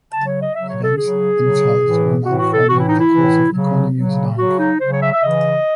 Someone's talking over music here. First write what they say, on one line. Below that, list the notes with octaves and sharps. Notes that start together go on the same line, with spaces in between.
Events themselves were now forming the course of Economou's life.
C#3 F#3 A5
C#5
D#5
C#3 F#3 E5
C#5
A4
C#3 F#3 G#4
C#3 F#3
A2 E3
A2 E3 F#4
F#4
A4
A2 E3 F#4
E4
D#4
E4
A2 E3
C#3 F#3
C#3 F#3
C#3 F#3 F#4
D#4
C#3 F#3 C5
C#5
E5
E5
C#3 E3 D#5